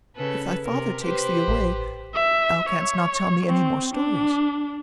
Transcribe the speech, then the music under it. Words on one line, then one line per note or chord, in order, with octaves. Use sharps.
"If thy father takes thee away, thou canst not tell me any more stories."
C#3 A4 B4
C3 A#4
G4 B4 C5
A1
E5
C#5
C4
D4